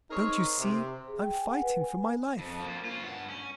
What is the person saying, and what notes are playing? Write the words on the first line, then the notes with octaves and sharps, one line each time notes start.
Don't you see I'm fighting for my life?
C4 D#4 G#4 A#4 C#5
C3
G#4
G5
G#5
F#5
B4
G#5
F2
F3 A#3
C#4 F4
G2 F#5
C#4